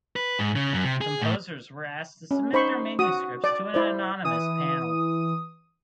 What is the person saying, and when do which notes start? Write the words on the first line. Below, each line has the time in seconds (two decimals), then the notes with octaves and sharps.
Composers were asked to submit their manuscripts to an anonymous panel.
0.16 B4
0.39 G#2
0.55 C#3
0.73 F#2
0.84 C3
1.01 G#4
1.22 A2
2.31 C#4
2.53 D#4 C5 B5 C#6
2.99 F#4 D#6
3.44 D5
3.74 E4 C5 D5
4.25 E3 D#6